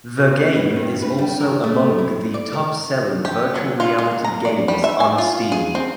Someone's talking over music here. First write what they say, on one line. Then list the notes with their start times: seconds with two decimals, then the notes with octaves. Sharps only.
The game is also among the top selling virtual reality games on Steam.
0.17 B2
0.56 B3
0.76 G2
1.02 B4
1.19 G3
1.40 A#4
1.64 A3
1.99 E4
2.34 D5
2.53 A#4
3.25 G4
3.55 F#3
3.80 F4
3.98 G#3
4.24 A#5
4.45 D5
4.68 G3
4.84 E5
5.00 G#5
5.18 F4
5.52 G#4
5.75 C4